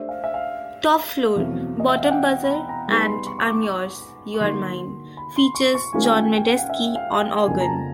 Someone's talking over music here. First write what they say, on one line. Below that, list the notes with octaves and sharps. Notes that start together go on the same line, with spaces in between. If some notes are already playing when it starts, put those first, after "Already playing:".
"Top Floor, Bottom Buzzer" and "I'm Yours, You're Mine" features John Medeski on organ.
Already playing: A3 D4 G4 C5 E5
F5
E5
F5
E2 B2 F#3 A3 C4
D#5
E5
F5
F#5
G5
B5
A#5
A#5
G3 B3 D#4 G#4 B5
B5
C6
C#6
C#6
D6
C#6
C#6
D3 F#3 A#3 D#4 F#4 C6
B5
C6
C#6
C#6
D#3 G#3 C#4 F4 A#4 G#5
G5
G#5
G5
F#5
F5
E5
F5
G5
F2 C#3 F3 A#3 D4 G#5
A#5
A5